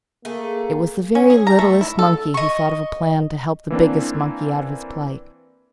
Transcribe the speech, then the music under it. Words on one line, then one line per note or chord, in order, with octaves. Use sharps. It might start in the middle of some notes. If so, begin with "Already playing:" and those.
It was the very littlest monkey who thought of a plan to help the biggest monkey out of his plight.
A3 A#3 G#4
C#4
G#4
A#5
A3
E4
A4
D#5 C#6
E3 A#3 C4 D4